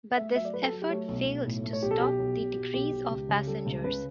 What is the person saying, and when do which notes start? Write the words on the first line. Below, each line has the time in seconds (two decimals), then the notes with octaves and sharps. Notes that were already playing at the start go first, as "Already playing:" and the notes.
But this effort failed to stop the decrease of passengers.
0.17 A3 E5
0.36 F#3 E5
0.45 D5
0.53 F#3 B4
0.63 A4
0.73 F#3
0.82 G4
0.90 A3 C#5
1.08 B1
1.27 B1
1.46 A2
1.64 A3
1.73 C#5
1.82 B1 G4
1.91 A4
2.00 B1 G4
2.19 B1
2.37 B1
2.56 B2
2.74 B1 G4
2.92 B1
3.10 C#2
3.29 C#3
3.47 G3 A4
3.66 C#2
3.84 C#3 B4